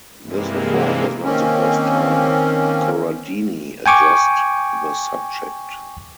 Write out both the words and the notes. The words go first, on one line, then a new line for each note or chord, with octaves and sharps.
This effort was not the first time Corradini addressed the subject.
G2 C3 E3 G#3 A#3
D#3 A#3 C4 C#4
G5 G#5 C#6 D6